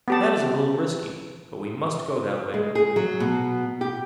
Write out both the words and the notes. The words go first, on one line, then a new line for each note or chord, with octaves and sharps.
That is a little risky, but we must go that way.
B3 G4 A5
G#3
G#4
F#3
B2
G4